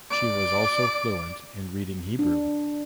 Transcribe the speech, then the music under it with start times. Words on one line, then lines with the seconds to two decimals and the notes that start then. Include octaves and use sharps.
She was also fluent in reading Hebrew.
0.11 D5 D7
2.19 D4